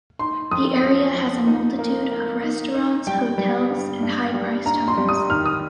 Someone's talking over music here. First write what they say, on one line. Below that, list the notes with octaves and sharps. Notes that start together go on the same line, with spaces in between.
The area has a multitude of restaurants, hotels and high-priced homes.
D#4 C6
F2 D#6
F3
F3
D#4
A#3
A#3
D#4
D#4
G3 G5
G3
G2
G2
G3
G2 A#5
C6
G3
D#6
D#3 F6
D#6